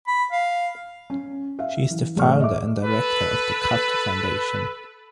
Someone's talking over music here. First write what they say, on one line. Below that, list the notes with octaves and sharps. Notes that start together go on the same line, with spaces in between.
She is the founder and director of the Khatt Foundation.
B5
F5
C#4
E5 F5
E3
A1 A3 G#4 D5 C#6 F6
D#5 E5 D6
A4 B4